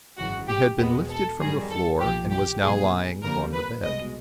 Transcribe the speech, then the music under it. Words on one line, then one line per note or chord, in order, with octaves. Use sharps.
He had been lifted from the floor, and was now lying upon the bed.
G#1 F#2 C#3 E3 G#3 F#4
G4
E2 B2 G#3 B3 G4
A4
G#1 F#2 D#3 G3 G#4
A4
B1 A#2 F3 G4
G4
B1 A#2 F#3 B3 G#4
F2 D3 G3 A#3 A#4
B4
C2 B2 G#3 D#5